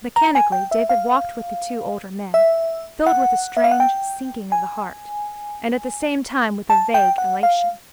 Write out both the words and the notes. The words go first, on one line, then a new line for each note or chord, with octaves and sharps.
Mechanically David walked with the two older men, filled with a strange sinking of the heart, and at the same time with a vague elation.
A#5
G#5
G5
E5
F5
E5
F#5
E5
F5
F#5
G5
G#5
A5
G5
F#5
F5